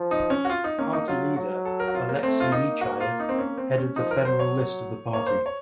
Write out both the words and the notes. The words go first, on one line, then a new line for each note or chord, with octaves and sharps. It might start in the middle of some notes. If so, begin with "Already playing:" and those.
Party leader Alexey Nechaev headed the federal list of the party.
Already playing: F3
D#4
C#4
F#4
F4
D#4
A#3 C#4
D#4
F#3 F4
F#3 F#4
A4
A#4
F#4
F4
A#3
A3 C4
F4
A#3 D#4
F#4
F4
D#4
C4
C#4
C4
C#4
F3 D#4
A#4
F#3 C5
C#5
A#3 C#5
C5
C#5